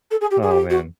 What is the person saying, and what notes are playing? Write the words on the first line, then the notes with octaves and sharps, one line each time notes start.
Oh, man.
A4
G#4
G4
G#4
G4
F#4